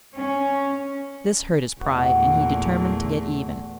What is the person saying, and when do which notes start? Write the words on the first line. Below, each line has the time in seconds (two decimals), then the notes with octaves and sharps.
This hurt his pride, and he determined to get even.
0.14 C#4
1.80 E2 A#2 G3 A3 B3 F#4